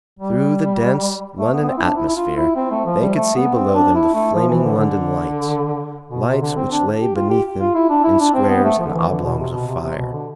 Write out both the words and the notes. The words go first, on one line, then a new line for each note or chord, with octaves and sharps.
Through the dense London atmosphere they could see below them the flaming London lights; lights which lay beneath them in squares and oblongs of fire.
G3
A3
B3
B3
C4
E4
D4
E4
E4
F4
E4
C4
A3
F3
G3
A3
B3
C4
D4
E4
A3
F3
E3
D3
D3
B2
C3
D3
C4
D4
G4
F4
G4
F4
E4
D4
E4
D4
C4
B3
A3
F3
D3
E3
D3
B2
C3
B2
C3
C3
B2
D3